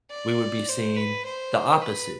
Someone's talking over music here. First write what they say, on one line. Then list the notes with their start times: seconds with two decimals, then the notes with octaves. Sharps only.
we would be seeing the opposite,
0.11 D5
0.69 C5
0.96 B4
1.25 C5
1.81 B4